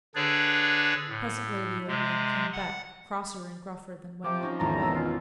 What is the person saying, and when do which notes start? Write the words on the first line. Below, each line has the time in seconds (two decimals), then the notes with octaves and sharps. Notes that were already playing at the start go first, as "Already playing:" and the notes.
Presently the old man came back, crosser and gruffer than when he went away.
0.15 D3 D4 G#4 B4 C#5 D5
1.09 A2
1.87 C3 G#3
2.53 F#5
4.24 C3 F3 G5 D6
4.41 C4 C#4 D#4
4.60 G#1 E2 A2 A5 A#5
4.83 B2 E6
4.95 C#4 F4